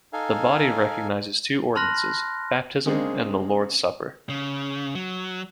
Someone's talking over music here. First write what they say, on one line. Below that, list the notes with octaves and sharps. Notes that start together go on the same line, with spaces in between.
The body recognizes two ordinances - baptism and the Lord's supper.
D#4 A4 F5 G#5
A5 B5 C6 F6 F#6 A#6
C#3 G#3 A#3 C4 D4 G#4
C#3
F#3